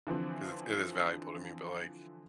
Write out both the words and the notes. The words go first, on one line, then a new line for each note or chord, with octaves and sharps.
'cause it's it is valuable to me, but, like,
D3 E3 F3 C4